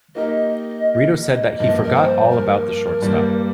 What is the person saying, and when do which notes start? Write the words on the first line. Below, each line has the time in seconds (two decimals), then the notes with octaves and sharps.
Brito said that he "forgot all about the shortstop".
0.15 A#3 D#4 G4 A#4 D#5
1.58 G2 F3 A#3 D#5
1.83 A#4
1.95 C5
2.30 A#4
3.02 G2 G3 A#3